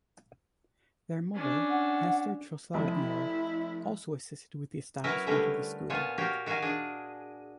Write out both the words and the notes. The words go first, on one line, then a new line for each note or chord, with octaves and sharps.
Their mother, Hester Truslow Beard, also assisted with the establishment of the school.
C#4 D4
F#5
F1 E4
F#3 C#4 E4 A#4 B4
D3 G3 A3 C#4 A#4 B4
A#2 B3 F4 C#5 G#5 A5
F#4 G4 A#4 C#5 F5
D#3 F#4 A#4 F5 G#5
D4 G#4